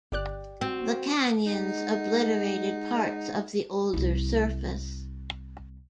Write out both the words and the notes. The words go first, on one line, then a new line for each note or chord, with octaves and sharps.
The canyons obliterated parts of the older surface.
G1 G4 D5 F#6
C4 F#4
G#3 D#4 F#5
C2 E4